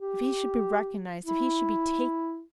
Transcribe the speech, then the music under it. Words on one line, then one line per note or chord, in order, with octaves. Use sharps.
If he should be recognised! If he should be taken!
G4
E4